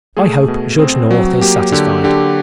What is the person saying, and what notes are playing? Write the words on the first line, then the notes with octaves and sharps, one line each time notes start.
I hope Judge North is satisfied.
A3 G#4
B2
C4
F#3
A#3 G4
D3 G4
D3 G4